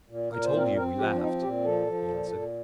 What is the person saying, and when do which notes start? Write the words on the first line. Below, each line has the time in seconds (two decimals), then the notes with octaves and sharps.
'I told you we laughed,' he answered.
0.10 A#2
0.32 A#2 A#4
0.45 C5
0.54 C4 A#4
0.77 C4 A#4
0.98 F3 G4
1.15 D4
1.21 C4 D#4
1.42 A#2 G4
1.65 F3 A4
1.87 F3
2.09 A#2
2.31 A#2